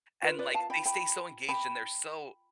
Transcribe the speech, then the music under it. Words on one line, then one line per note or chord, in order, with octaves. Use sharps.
and, like, they stay so, engaged and they're so,
F4 B4
B4 D5
F5 A5
G5 B5
G5 B5
G5 B5